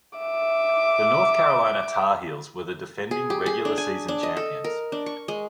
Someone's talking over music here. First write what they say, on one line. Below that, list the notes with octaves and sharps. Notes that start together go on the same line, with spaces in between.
The North Carolina Tar Heels were the defending regular season champions.
E5 D6
G#4
G4
G#4
D4
G#5
D4
D#5
A4
A#4
D4
C#6
G#3